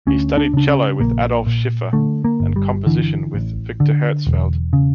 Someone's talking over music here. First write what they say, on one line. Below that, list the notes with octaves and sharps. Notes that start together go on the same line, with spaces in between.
He studied cello with Adolf Schiffer and composition with Viktor Herzfeld.
D2 C#4
D4
C#3 D4
C#4
A#1 A#3
A#2
D3 A3
A#3
G1
G3
D3 E3
A1
D3
E1
C#3